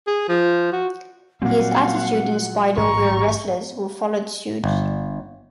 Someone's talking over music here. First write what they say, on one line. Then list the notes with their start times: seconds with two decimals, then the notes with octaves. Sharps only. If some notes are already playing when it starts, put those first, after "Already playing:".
His attitude inspired other wrestlers who followed suit.
0.07 G#4
0.28 F3
0.72 F#4
1.42 A#2 F#3 G3 A#3 C4 F5 F#5
2.77 A1 G#2 A#5 C#6
4.64 G1